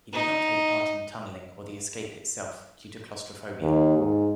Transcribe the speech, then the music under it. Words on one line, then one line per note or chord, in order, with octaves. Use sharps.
He did not take part in tunnelling or the escape itself, due to claustrophobia.
D#4
D#2
G#2